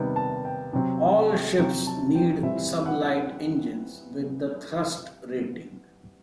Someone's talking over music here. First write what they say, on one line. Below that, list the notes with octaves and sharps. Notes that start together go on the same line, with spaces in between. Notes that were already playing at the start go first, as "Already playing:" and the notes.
All ships need sublight engines with a Thrust Rating.
Already playing: C3 D#3 G3 B3 G5
A5
G5
C3 F#3 C4 G5
C3 F#3 C4 G5
A5
G5
E3 G3 C4 E5
F#5